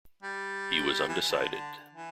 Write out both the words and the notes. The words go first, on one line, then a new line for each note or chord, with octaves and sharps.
He was undecided.
G3
E3
E3
D3
D3
E3